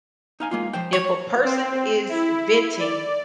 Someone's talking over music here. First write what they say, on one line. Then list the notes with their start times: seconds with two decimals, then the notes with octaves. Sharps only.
If a person is venting,
0.40 D#4 F5 G#5
0.51 G#3 A#3 F4
0.73 F3 C5 G5
0.93 C#5
1.44 C4
2.09 E4
2.79 D5